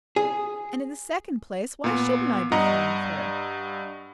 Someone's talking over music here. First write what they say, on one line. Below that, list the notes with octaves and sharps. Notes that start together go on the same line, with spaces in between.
"And, in the second place, why shouldn't I be fond of her?"
G#4
A#2 B3
G2 D#5 F#5 A#5